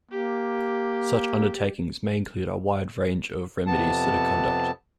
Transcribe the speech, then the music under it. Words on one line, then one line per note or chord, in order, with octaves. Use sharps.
Such undertakings may include a wide range of remedies to the conduct.
A#3 G4
F2 C3 B3 A5